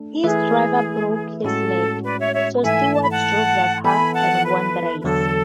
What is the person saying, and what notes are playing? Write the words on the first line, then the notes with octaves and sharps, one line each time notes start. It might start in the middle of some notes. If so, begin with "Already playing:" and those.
His driver broke his leg, so Stewart drove the car, and won the race.
Already playing: A3 D4 A4
E3 A3 E4 G#4 B4 E5
A2 G#3 C#4 F#4 A4
B4 D5
C#5 E5
C#5 E5
G#2 E3 A3 E4 A4 E5 G#5
A5
B5
F#5 A5
E3 B3 E4 A4 G#5 B5
F#5 A5
B4
B4
E2 D3 F#3 A4